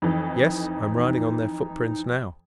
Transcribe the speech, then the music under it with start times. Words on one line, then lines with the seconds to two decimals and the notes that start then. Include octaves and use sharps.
"Yes, I'm riding on their footprints now."
0.02 F2 E3 D#4